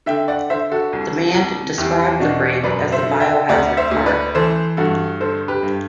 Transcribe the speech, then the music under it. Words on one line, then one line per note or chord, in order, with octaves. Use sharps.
The band described the break as the Biohazard part.
D3 E5 G5
D5 F#5
D3 C5 E5
F#4 A4
C2
C2
E2 E4 G4
B2 D4 F#4
F#2 B4 D5
C5 E5
D3
E5 G5
D2 D5 F#5
C5 E5
D2
B4 D5
E3 A4 C5
G2 F#4 A4
D3 A4 C5
G4 B4
G2